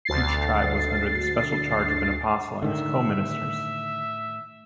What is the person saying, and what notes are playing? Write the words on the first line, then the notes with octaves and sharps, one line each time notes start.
Each tribe was under the special charge of an apostle and his co-ministers.
D2 A6 C7
A2 D3 D#3 E5